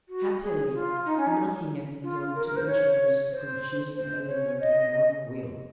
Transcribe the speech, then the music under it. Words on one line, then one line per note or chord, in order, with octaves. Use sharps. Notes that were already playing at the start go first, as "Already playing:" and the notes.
Happily nothing had been done to introduce the confusing element of another will.
F#4
G#4
F4
D#4
C#4
D#4
F4
A#4
A#4
C5
C#5
C5
C5
C#5
D#5